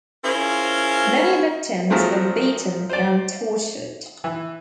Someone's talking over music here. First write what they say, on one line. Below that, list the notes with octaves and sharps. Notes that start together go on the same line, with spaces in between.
Many victims were beaten and tortured.
C#4 E4 F4 G#4 A#4 C5
F3 F#3 G#3 A3 C4
C5 D5
E3